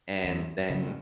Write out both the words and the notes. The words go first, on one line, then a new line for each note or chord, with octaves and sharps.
and then
E2
C#3 F#3